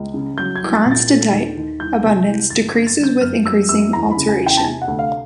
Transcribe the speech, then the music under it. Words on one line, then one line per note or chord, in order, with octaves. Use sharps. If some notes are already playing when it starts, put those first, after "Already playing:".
Cronstedtite abundance decreases with increasing alteration.
Already playing: C#2
C#3
F#3 G6
G#6
C2
A6
A#2
A6
A3
D#2
D#2
C2 G6
C3
C2
G1 A6
G#6
G2
A6
G1
G6
F#2 F6
F#3 E6
F#2 E6
E2 A#5
B5
C#3
G#5
E2
G5
A5
C3 G#5
F#5
D2
F5